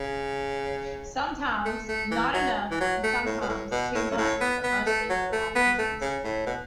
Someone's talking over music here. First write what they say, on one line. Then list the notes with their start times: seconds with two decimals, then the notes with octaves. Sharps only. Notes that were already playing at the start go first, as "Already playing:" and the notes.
Sometimes not enough and sometimes too much but mostly for the wrong reasons.
Already playing: C#3
1.65 A3
1.88 A3
2.11 E3
2.34 F#3
2.71 E3
2.80 F#3
3.03 A3
3.26 A2
3.41 B2
3.49 A2
3.72 B2
3.95 A2
4.11 F#2
4.18 A2
4.41 B3
4.64 B3
4.87 A3
5.10 F#3
5.32 A3
5.55 B3
5.79 A3
6.01 C#3
6.24 A2
6.46 B2